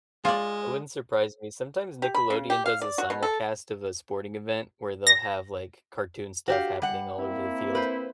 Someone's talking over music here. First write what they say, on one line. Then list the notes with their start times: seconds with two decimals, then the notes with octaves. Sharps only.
It wouldn't surprise me; sometimes Nickelodeon does a simulcast of a sporting event where they'll have, like, cartoon stuff happening all over the field.
0.25 G#3 F4 D5
2.02 G4
2.15 B5
2.30 C#3
2.50 G4
2.66 F5
2.82 D5
2.98 F#4
3.10 B2
3.23 A4
5.07 A#6
6.48 F#4 G4 F5
6.82 G3 F#5
7.19 A#3 C4 E4
7.75 B4 C5